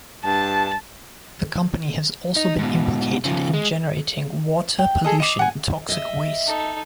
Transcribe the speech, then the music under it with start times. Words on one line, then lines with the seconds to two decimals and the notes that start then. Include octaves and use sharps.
The Company has also been implicated in generating water pollution and toxic waste.
0.25 G2 A5
2.36 D#4
2.59 G#2 B2
3.25 C#3 F3
3.54 G#3
4.79 G5
5.04 G#4 A4 D#5
5.20 D#5 D6
5.39 F#5 G#5
5.89 D#5 E5
6.46 D#4 A4